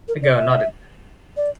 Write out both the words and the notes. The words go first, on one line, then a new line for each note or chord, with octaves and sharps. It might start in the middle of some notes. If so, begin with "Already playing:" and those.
The girl nodded.
A#4
D5
E5
D5